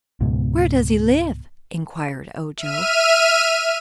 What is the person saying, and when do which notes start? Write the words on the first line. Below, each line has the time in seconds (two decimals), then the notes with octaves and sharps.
"Where does he live?" inquired Ojo.
0.20 C#2 G#2 B2
2.57 E5 F6 D#7